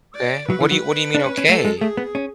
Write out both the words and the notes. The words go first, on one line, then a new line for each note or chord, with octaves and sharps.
Okay, what do you what do you mean, okay?
D5
F#3 B4
E3
F#3
D4
C#4
C#4
A3 A4
G#3
A3 G#4
B3
C#4